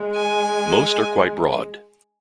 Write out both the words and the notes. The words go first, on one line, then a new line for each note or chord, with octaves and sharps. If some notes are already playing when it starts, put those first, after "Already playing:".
Most are quite broad.
Already playing: G#3
G#5